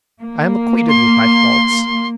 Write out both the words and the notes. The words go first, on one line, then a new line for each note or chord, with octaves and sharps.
'I am acquainted with my faults.
A#3
C6